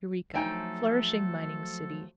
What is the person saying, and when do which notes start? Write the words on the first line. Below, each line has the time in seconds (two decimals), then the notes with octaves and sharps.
Yreka.--Flourishing mining city.
0.35 F3 F#3 A3 D#4 A4 G5 G#5